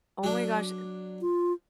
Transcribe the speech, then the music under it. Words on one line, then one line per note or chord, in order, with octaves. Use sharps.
Oh, my gosh, uh
F#3 D4
F4